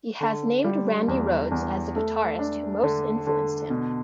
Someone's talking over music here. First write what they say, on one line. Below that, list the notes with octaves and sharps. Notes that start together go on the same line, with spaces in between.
He has named Randy Rhoads as the guitarist who most influenced him.
D3
G3
E2
E2
A3
D4
D3
D3
B2